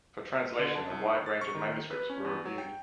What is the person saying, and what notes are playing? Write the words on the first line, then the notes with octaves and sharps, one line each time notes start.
For translation a wide range of manuscripts were reviewed.
D3
A5
C2
D#4
A6
C#6
D#3
B4
C#4
E2
F#3
G5